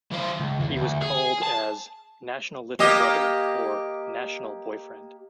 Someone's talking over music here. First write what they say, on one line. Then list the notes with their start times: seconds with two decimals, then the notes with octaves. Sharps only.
He was called as "National Little Brother" or "National Boyfriend".
0.11 E3 C5
0.40 C#2
0.60 E2
0.76 D2
1.02 G#4
1.43 A5
2.79 A#3 G4 D#5